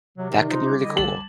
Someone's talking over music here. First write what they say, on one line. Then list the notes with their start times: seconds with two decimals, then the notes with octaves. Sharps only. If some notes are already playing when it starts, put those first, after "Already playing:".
that could be really cool.
0.18 C3 F#3
0.31 D#3 D#4 D5
0.49 D#4 F4 C5 C6
0.65 G3 D6
0.84 D3 E4 D#5
0.97 A5 F#7